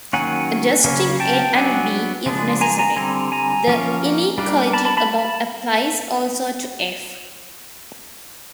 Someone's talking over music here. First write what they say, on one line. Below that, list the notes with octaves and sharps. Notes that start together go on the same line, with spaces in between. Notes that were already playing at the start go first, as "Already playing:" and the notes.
Adjusting "A" and "B" if necessary, the inequality above applies also to "F".
D#3 F#3 A#3 C#4 F#5 G#5
C#3 F#3 A#3 C#4
G5 A5
F#3 B3 D4 F#5 G#5
C#3 F3 G#3 B3 D4
G#5 A#5
G#5 A#5
D3 G3 C4 G#5 A#5
G#5 A#5
F3 A#3 C#4
G3 A#3 D4
A5 B5
A5 B5
A5 B5